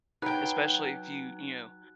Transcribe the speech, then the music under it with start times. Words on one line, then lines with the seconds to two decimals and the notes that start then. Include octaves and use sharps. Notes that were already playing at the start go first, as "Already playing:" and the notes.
Especially if you, you know
0.22 F#3 D#4 B4 G5 F#6